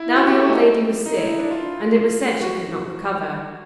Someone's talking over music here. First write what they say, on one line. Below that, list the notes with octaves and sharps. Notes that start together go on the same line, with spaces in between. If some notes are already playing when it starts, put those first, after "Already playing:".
Now the old lady was sick, and it was said she could not recover.
Already playing: E4
F#4
G4
A4
D#4
D#4
E4
D#4
D4
F4
F#4